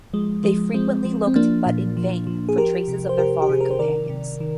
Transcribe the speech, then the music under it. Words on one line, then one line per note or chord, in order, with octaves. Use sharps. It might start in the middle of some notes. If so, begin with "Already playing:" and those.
They frequently looked, but in vain, for traces of their fallen companions.
F3 G#3
F3 G#3
F3 G#3 C4
F3
C4
F3 A#3 D4
A#2
F3
F3
G#4
F3 G4 A#4
C3
C5
C3 G4 A#4
G4
C3 G#4
A#4
C5
D#3 A#4 D5
C3
D#3